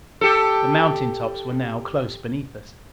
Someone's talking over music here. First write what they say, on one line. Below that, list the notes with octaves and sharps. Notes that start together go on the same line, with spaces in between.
The mountain tops were now close beneath us.
G4 A4